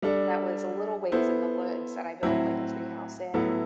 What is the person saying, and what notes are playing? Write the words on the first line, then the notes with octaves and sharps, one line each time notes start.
that was a little ways in the woods that I built, like, a tree house in,
G3 D4 A4
B3 E4 A4 C5
A2 F#3 C4 E4
A2 F#3 B3 E4 A4